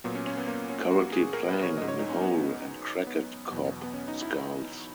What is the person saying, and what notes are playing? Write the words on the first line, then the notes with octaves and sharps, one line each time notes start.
Currently playing in Howl and Cracked Cop Skulls.
A#2 F#3 B3
C#4
C#4
B3
A#3
C#4
F#4
G#4
A#4
B4
C#5
G#2 F#3 D#5
C#5
D#4
C#4
B3
B3
E2 B2 F#3
B3
C#4
D#4
E4
E4